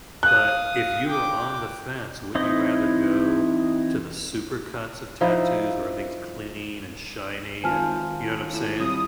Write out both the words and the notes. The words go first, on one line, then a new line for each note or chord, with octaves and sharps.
But if you were on the fence, wouldn't you rather go to the supercuts of tattoos where everything's clean and shiny and you know what I'm saying?
F5 D#6 F#6
G5 D6
E3 C4 D#4 E4 D#5
F3 D#4 E4
G#1 D#3 F4 C5 G#5 A5 F6
A2
C3 G3 E4 D#6